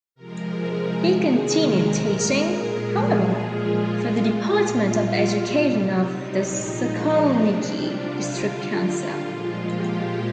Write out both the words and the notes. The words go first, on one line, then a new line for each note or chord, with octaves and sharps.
He continued teaching, however, for the Department of Education of the Sokolniki District Council.
C3 F3 G#3 A#4
G#4
C3 D#3 G#3
A#4
A#2 G#3
G#4
A#2 F3 G#3
F4
A#2 G#3
F4
A#2 G3
C3 G3
D#4
A#2 F3 G#3
D4
C3 G3
F4
D3 G3
F4
A#2 F3 G#3
G4